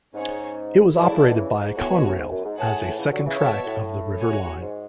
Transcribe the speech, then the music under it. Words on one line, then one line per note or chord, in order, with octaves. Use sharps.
It was operated by Conrail as a second track of the River Line.
G#2 C#4 G#4 C#5
B2 E4 A4 D5 A5
A2 C#3
B2 D3
C#3 E3
B2
G#2
A2 B3 F#4 C#5 G#5
B2
A2
G#2
F#2
G#2
A2 G#4 B4 F#5 A5
C#3 E3
D3 F#3
C#3 E3
A2 C#3 F#4 C#5 E5 A5
B2
A2
F#4 C#5 G#5
G#2